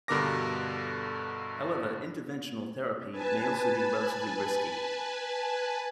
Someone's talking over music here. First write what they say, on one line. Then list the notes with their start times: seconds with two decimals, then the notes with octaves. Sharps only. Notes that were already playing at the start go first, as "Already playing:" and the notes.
However, interventional therapy may also be relatively risky.
0.08 G2 B2 D3 A#4 D6 A#6
3.12 B4 G#5 A5